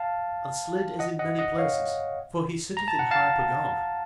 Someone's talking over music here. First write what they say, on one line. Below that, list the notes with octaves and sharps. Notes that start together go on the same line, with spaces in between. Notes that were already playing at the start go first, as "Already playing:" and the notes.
And Slid is in many places, for he sitteth in high Pegana.
Already playing: F5 A5
D#5 F#5
D#5 F#5
D#5 F#5
C#5 F5
A#5
A5
F#5
F5 A5